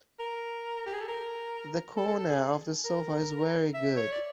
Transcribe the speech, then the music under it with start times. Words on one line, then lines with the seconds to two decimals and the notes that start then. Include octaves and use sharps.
The corner of the sofa is very good.
0.19 A#4
0.86 G4
0.93 G#4
1.00 A4
1.08 A#4
1.97 A4
2.07 A4
2.19 A4
2.30 G#4
2.85 A#4
3.74 E5
3.97 C#5
4.12 D5